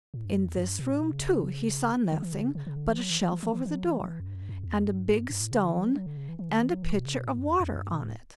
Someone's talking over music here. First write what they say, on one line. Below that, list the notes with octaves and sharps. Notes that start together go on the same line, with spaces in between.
In this room, too, he saw nothing but a shelf over the door, and a big stone, and a pitcher of water on it.
A2
G2
F#2
E2
F#2
G2
B2
A2
B2
C#3
D3
E3
D3
C#3
C#3
C#3
D3
E3
F#3
E3
E3
E3
E3
E3
E3
F#3
E3
F#3
E3
F#2
G2
F#2
G2
F#2
E2
G2
A2
G2
G2
A2
C#3
D3
E3
F#3
F#3
D3
C#3
E3
E3
D3
E3
F#3
E3
B2
C#3
B2
A2
F#2
E2
E2
F#2
G2
B2
A2